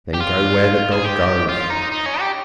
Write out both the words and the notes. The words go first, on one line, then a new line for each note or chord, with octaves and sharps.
Then go where the dog goes.
G4
F4
G#4
G4
F4
D#4
D#4
C#4
G4